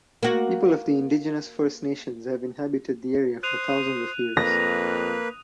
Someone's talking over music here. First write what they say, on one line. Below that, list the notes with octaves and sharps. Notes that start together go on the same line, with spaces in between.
People of the indigenous First Nations have inhabited the area for thousands of years.
A#3 F#4
C5 D#6 F#6 D#7 F7
F2 A#3 B4 D#6 A#6